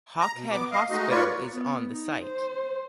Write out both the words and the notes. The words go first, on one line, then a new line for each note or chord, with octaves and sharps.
Hawkhead Hospital is on the site.
A#5
B2
B3 D6
D#5 F5
G#3 A3 D#4 F#4 D#5
F4 A#4 B4 C#5 D5 C#6
B3
D#4
C5